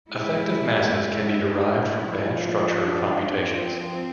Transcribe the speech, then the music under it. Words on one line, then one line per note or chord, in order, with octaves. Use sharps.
Effective masses can be derived from band structure computations.
G#3 E4
E4
F3
D4
F3 C4
F3